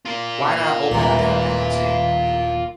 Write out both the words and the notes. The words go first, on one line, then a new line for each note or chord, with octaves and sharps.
Why not open the damn thing and see?
F4 A#4
D#1 D#2 A2 E3 G3 G#3